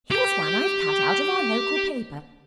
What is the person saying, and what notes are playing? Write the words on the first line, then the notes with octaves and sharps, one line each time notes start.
Here's one I have cut out of our local paper.
G4 G5